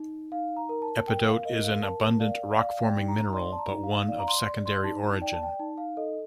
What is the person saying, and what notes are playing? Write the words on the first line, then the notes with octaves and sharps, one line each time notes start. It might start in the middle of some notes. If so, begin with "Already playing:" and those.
Epidote is an abundant rock-forming mineral, but one of secondary origin.
Already playing: D#4
D#4 F5
A#5
A#4
A5
A#4 G5
F5
A#4 D#5
F5
A#4 A5
D5 F5
D5 F5
G5
D#4
A#5
D5 C6
A5
A#5
D#4
F5
D5 F5
A#5
C6
D5
C6
D#4 A5
D5 G5
A5
G5
D#4 A5
F5
A4 D#5